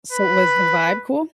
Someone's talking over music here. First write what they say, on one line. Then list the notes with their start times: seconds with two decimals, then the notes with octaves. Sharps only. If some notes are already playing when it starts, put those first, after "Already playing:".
So was the vibe cool?
0.12 B4